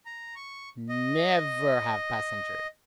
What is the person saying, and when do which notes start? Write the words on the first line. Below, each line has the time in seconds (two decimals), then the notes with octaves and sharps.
Never have passengers.
0.06 A#5
0.36 C#6
0.89 D#5